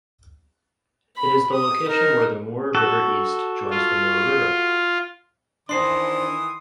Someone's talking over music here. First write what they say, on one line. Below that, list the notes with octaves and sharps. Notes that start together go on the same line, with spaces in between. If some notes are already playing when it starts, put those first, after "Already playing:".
It is the location where the Moore River East joins the Moore River.
B5
D#6
D#4 A#4
F#4 A4
F4
D#3 E3 D4 C5 C6 D#6 C7